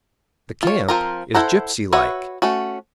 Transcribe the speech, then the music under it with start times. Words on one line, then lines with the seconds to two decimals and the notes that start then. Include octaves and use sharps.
The camp is gypsy-like.
0.63 F4 C#5
0.88 F3 C4 F4 A#4 A#5
1.34 E4 A4 C5 F#5 A#5
1.93 F#4 B4 C#5 E5 F#5
2.42 A3 C#4 F#4